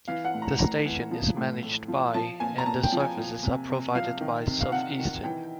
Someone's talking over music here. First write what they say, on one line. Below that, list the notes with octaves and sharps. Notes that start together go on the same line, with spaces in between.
The station is managed by and the services are provided by Southeastern.
E3 F5
F#5
A2
A#5
A2 A#5
E3
F3
A2
A2
F3
F3 A5
A#2 G#5
A#5
A#2 A5
G5
F3
G#5
F3
C3
C3
F3 F5
D#3
C3
F5
C3 F#5
D#3
E3 G5